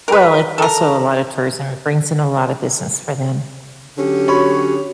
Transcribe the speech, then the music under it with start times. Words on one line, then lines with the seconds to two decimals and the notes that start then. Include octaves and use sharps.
Well, it's also a lotta tourism, it brings in a lot of business for them.
0.08 A#4 B4
0.58 A4 A#4
3.98 D3 F#3 C#4 G4
4.28 F#4 C#5 B5